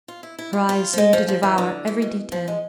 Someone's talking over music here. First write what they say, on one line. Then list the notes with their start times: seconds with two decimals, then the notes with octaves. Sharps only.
Her eyes seemed to devour every detail.
0.08 F4
0.23 E4
0.38 E4
0.53 F4
0.69 F4
0.93 F3
0.98 G#3
1.13 F3
1.28 F3
1.43 E3
1.58 D3
1.87 E3
2.02 B2
2.32 F3
2.48 G#3